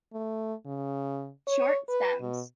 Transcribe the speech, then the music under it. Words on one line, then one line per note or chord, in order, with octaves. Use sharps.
Short stems.
A3
C#3
C#5
B4
B2